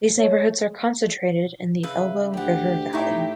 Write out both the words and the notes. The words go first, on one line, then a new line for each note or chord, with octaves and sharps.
These neighbourhoods are concentrated in the Elbow River valley.
C#5
C#3 B4 E5 F5
D2 G4 F#5 B5
A2 D#4 E4 C#6 D6